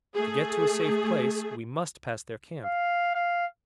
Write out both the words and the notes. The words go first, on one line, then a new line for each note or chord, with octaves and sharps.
To get to a safe place we must pass their camp.
A3 G#4
F5
F5